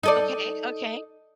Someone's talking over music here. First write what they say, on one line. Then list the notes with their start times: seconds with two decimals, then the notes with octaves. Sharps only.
Okay, okay.
0.03 D#4 A4 D5